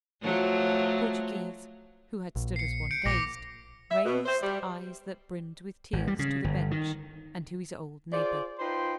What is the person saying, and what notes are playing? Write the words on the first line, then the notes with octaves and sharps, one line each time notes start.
Portoghese, who had stood as one dazed, raised eyes that brimmed with tears to the bench and to his old neighbor.
F3 F#3 A3
A#1
C7 C#7
G6 C#7 D7
A#1 D6 A#6
E5
B2
C5
G3
G#1
G3
C#3
G1
D#3
F4 G#4 C5 D5
D#4 F4 B4 C5 G5 C6